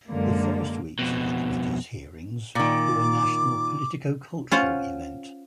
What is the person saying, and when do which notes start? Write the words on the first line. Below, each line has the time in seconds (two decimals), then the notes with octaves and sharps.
The first weeks of the committee's hearings were a national politico-cultural event.
0.11 F#2 D3 G#3 A#3
0.99 F2 B2
2.55 A#2 D#3 D6
4.51 C#4 F4 C5 F#5